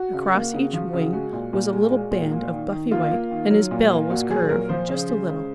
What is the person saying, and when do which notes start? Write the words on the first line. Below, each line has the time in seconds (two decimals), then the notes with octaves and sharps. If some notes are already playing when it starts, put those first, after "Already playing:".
Across each wing was a little band of buffy-white, and his bill was curved just a little.
Already playing: F#4
0.13 C#3
0.34 A#3
0.54 C#3
0.73 F3
0.93 C#3
1.13 G#3 F#4
1.33 A#2
1.53 A#2
1.72 G#3
1.92 G#3
2.11 A#2
2.31 A#3
2.52 D#3
2.71 D#3
2.91 A#3 F4
3.11 A#3
3.31 D#3
3.51 F#3
3.71 A#2
3.90 A#3
4.10 A#2 F#4
4.29 F#3 G#4
4.49 A#2 A#4
4.69 F3 C5
4.89 C#3
5.09 G#3
5.29 C#3